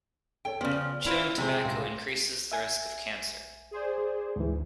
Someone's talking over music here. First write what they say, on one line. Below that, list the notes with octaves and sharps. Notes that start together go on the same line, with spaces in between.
Chewing tobacco increases the risk of cancer.
A4 C#5 G5
C#3 F3 B3 C#4 D5
E4 F4 C5
C3 F3 G#3 G#4 C5
C#2 A#6
E5 G#5
G#4 C5 D5
D2 G#2 E3